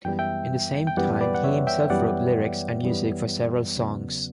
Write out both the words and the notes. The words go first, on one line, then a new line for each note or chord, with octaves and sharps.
In the same time, he himself wrote lyrics and music for several songs.
F#2 E3 G3 B3 G5
E5 G5
G5
F#2 E3 G3 B3 D5 F#5
B4 D5
F#5
C#5 E5
E5 G5
F#2 E3 G3 B3 D5 F#5
F#2 E3 G3 B3
E2 C#3 F#3 B3